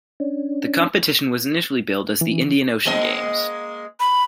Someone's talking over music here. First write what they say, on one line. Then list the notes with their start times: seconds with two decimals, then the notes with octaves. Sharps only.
The competition was initially billed as the Indian Ocean Games.
0.20 C#4 D4
2.21 E3
2.85 G#3 A#3 D#5
4.00 B5